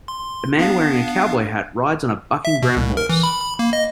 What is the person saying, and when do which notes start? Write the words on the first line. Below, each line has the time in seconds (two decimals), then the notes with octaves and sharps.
A man wearing a cowboy hat rides on a bucking brown horse.
0.08 C6
0.59 B3 D4 F5
2.45 E5
2.62 B2
2.77 C2
2.97 A#4
3.09 E3
3.23 B5
3.41 B5
3.59 A#3
3.73 D#5